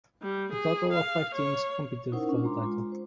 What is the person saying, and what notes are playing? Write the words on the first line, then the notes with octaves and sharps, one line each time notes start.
A total of five teams competed for the title.
G3
G#4
F5
C#5
C#4 D#4 E4 A#4 C5 F#5
C#4 D4 F4
G#3 C5 A#5 C6 D6
G#3 F4
C5